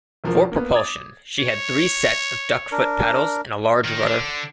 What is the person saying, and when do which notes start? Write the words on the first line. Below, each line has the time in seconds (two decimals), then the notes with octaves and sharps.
For propulsion, she had three sets of duck-foot paddles and a large rudder.
0.24 E1 F3 A#4
0.52 A#3 B3
0.73 D6 D#6 G#6 A6
1.39 C#5
2.72 D4 A#4
3.84 D#3
4.06 D3